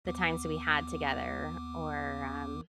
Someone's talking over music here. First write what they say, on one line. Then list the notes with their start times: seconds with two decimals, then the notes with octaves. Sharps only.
the times that we had together or, um,
0.05 D#2 B3 D6